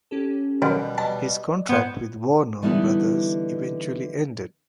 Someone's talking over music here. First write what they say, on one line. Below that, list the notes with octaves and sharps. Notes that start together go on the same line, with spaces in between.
His contract with Warner Brothers eventually ended.
C#4 G4 A4
F#2 B2 D#3 G3 B3
D5 D#5 A5
G#2 B3 C5 F#5 G5 G#6
D3 E3 G3 B3 D#4